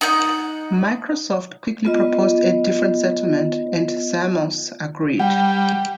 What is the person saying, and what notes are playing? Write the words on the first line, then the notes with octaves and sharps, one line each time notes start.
Microsoft quickly proposed a different settlement, and Zamos agreed.
D#4 F#5 G6
B3 F4 D#5
G3 F#5 G5